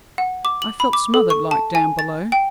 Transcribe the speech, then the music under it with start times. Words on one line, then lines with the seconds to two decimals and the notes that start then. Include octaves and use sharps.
I felt smothered like down below.
0.18 F#5
0.45 D6
0.62 F#7
0.80 B5
0.93 D6
1.14 A4
1.30 C#6
1.51 A5
1.75 G#5
1.99 A6
2.32 G5